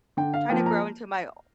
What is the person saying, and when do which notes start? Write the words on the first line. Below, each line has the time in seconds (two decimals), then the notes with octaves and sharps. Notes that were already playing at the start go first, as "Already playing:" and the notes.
trying to grow into my o
0.17 D3 G5
0.34 F5
0.49 F3 A#3 G5
0.66 A#5